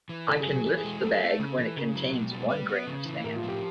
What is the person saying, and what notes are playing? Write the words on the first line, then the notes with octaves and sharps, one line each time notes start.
I can lift the bag when it contains one grain of sand.
E3
C#3 A4
G#4
F#3
G#4
E3 A4
G#4
G#3
F#3 A4
A3
C#3
E3
C#3 A#4
F#3
B2
G3
G3 B4
B3
C#3
E3
A2 A#4
F4
F3
G4